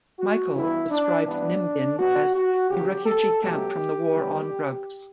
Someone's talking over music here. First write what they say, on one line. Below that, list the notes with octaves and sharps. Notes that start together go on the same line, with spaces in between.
Michael describes Nimbin as "a refugee camp from the war on drugs".
F#4
G2 E3 B3 E4
D4
G2 E3 B3 D4
B2 F#3 B3 F#4
F#4
D2 C#3 F#3 G4
A4
C#2 B2 F#3 A3 G4
E2 D3 G3 B3